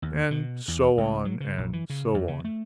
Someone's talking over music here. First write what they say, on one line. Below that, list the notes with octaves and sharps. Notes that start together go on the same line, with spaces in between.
And so on, and so on.
D#2
B2
E2
C#2
F#3
C#3
A#1
E3
C#3
F2
C#3
A3